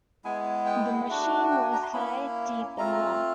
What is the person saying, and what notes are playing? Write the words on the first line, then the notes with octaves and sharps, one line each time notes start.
The machine was high, deep and long.
G#3 B3 E4 G#5
G5
A3 D4 F#4
G5
G#5
A#5
C6
A#3 C#4 E4 B5
A3 C4 F4 A#5